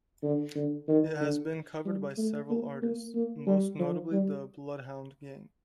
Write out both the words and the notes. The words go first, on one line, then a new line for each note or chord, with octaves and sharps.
It has been covered by several artists, most notably the Bloodhound Gang.
D3
D3
D#3
D3
G3
A3
A#3
A#3
A#3
G3
F3
G3